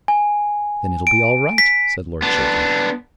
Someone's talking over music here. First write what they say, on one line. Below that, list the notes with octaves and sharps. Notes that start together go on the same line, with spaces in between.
"Then it'll be all right," said Lord Chiltern.
G#5
D7
B6
B3 D4